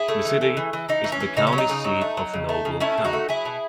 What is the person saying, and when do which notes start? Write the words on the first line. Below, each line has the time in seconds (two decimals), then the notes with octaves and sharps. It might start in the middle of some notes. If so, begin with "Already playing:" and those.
The city is the county seat of Noble County.
Already playing: E4 G#4
0.08 A3
0.25 E3
0.41 A3
0.57 E3
0.73 E3
0.89 E3 D#4
1.04 E3
1.12 C#4
1.20 E3
1.37 C#3 D#4
1.47 C#4
1.53 F#3
1.58 D#4
1.69 C#3
1.84 F#3
2.01 A3
2.17 F#3
2.34 C#3
2.49 A3
2.65 C#3
2.80 A3 C#4 E4
2.98 C#3
3.04 D#4 F#4
3.13 A3
3.29 F#3 E4 G#4
3.45 B2